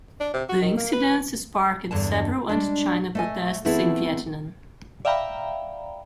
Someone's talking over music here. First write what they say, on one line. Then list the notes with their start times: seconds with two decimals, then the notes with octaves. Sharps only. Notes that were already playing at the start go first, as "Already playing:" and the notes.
The incidence sparked several anti-China protests in Vietnam.
0.20 D4
0.34 C3
0.49 F#4
0.62 D#3
0.77 A#3
0.93 B4
1.91 E2 G2 D3 A5
2.49 G3 G#3 D4
3.15 A3 D#5 G#5
3.65 E3 A3 B3 C4 E4 G#4
5.05 D5 E5 F5 G5 A#5 B5